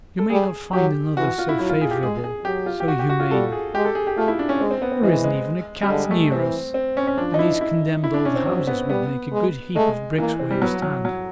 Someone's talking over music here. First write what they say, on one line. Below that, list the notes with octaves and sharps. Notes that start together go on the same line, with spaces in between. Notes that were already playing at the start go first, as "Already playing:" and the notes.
You may not find another so favourable, so humane. There isn't even a cat near us, and these condemned old houses would make a good heap of bricks where you stand.
A4
G3 G#4
F#3 G4
E3 F#4
F4
E4
F#3 E4
F4
G#4
G4
G#3 G#4
G#4
F#3 G4
F4
G4
F#4
G4
F#4
F4
G3 A4
G#4
G#3 G4
A4
G#4
G4
A3 F4
E4
D4
C#4
G#3 C4
C4
B3
C4
E3 G#3
G#3
G3
D3 G#3
G#3
A3
E3 C4
C4
C#4
C#4
F3 D4
D#4
E4
E4
E4
D4
C#4
C4
F#3 C4
B3
G3 B3
G#3
G#3 A3
E3 A#3
C4
G3
F#3 B3
F#3
F#3